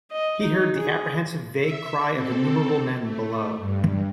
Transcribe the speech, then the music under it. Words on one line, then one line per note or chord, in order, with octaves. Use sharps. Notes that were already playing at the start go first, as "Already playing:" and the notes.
He heard the apprehensive vague cry of innumerable men below.
D#5
D#4
G#4
E5
C4 A4
A3
G2